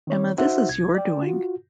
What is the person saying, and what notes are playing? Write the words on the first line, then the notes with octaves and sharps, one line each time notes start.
Emma, this is your doing.
D#3 C4 C#5
D#4 F#4 C5 E5 F#5
C2 G#6
D5 G5
F4 F#4